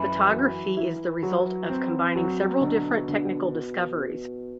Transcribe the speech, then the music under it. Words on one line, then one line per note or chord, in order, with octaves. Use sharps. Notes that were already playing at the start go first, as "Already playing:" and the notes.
Photography is the result of combining several different technical discoveries.
Already playing: F#2 E3
F#3
E4
F#3
C4
F#3
B2 D3
D3